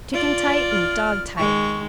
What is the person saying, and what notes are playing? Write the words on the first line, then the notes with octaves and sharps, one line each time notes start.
Chicken-tight and dog-tight.
F4 D5
F6
D#3 G#3 C#6